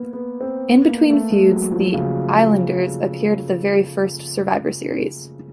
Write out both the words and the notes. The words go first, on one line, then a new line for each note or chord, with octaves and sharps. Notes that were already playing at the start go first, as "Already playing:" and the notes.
In between feuds, the Islanders appeared at the very first Survivor Series.
Already playing: A#3 B3
B3
C4
B3
A#3
A3
G#3
F#3
F3
C#3